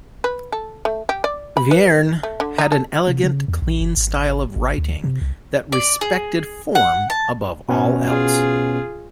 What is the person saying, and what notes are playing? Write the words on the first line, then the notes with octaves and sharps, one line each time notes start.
Vierne had an elegant, clean style of writing that respected form above all else.
B4
A4
A3
G4
D5
B5
B4
A3
D3
D#4
A4
C3
C#3
E2
A#1
F#1
G#1
G#1
D2
C3
C2
D5
G#4
F#5
A5
B2 B3 C#4
F4 G#4